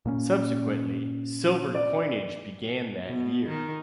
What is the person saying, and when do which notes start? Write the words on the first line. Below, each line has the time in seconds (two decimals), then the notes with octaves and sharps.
Subsequently, silver coinage began that year.
0.05 A#2 A#3 C#4
1.75 D5
3.06 B2
3.49 D#3